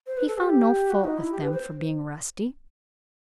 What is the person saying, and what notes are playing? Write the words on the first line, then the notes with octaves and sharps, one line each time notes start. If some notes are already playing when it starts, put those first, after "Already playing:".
He found no fault with them for being rusty.
C5
B4
A4
G4
F#4
D#4
E4
G4
B4
C5